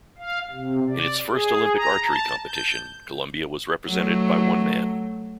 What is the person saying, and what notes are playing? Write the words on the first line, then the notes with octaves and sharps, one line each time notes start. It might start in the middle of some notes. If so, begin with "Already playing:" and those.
In its first Olympic archery competition, Colombia was represented by one man.
F5
C3
D5
G#4
A#5
A5
G6
F#3 A3